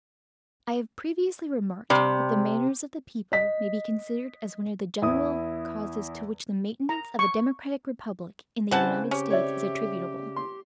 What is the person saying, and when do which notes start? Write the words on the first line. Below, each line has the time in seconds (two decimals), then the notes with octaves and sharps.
I have previously remarked that the manners of the people may be considered as one of the general causes to which the maintenance of a democratic republic in the United States is attributable.
1.90 C3 G3
3.32 D#5 B6
5.02 E2 E4 D#6
6.89 A#5
7.19 C#6
8.71 C#3 E3 C4 C5 F#5 A5
9.11 C#4 G4
9.30 C#5 D5 E5
10.36 C6